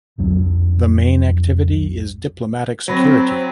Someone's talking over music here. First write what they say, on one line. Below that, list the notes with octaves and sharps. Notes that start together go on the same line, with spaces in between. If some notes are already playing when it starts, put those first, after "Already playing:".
The main activity is diplomatic security.
B1 F2 F#3 D4
F#3 C4 B5 A#6